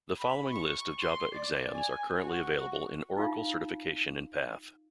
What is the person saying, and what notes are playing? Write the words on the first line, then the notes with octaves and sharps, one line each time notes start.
The following list of Java exams are currently available in Oracle certification and path.
B5
C#6
C6
D5
G#5
F#4
F#4
D#4 F4 F5